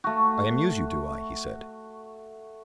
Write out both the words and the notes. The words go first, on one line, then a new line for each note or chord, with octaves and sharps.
"I amuse you, do I?" he said.
A3 F#4